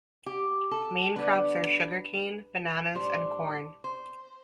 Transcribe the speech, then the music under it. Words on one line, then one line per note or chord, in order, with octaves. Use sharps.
Main crops are sugar cane, bananas and corn.
G4
A4
D3 G3 B3 D4 B4
A2 G3 D4 C5
C5